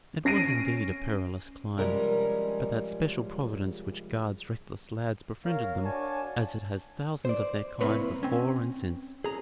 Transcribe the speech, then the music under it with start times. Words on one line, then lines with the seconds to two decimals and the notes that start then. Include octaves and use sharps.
It was indeed a perilous climb, but that special providence which guards reckless lads befriended them, as it has thousands of their kind before and since.
0.25 C#4 A#6 C7 D7 D#7
1.77 C3 F3 G3 G#3 C#4 A#4
5.46 A#4 C#5 F5
5.83 D4 F#4 C#5 G#5 A5
7.25 C5 D5
7.81 C2 A#3 C4 E4 B4 C#5
8.23 C4 C#4
9.24 G#4 A#5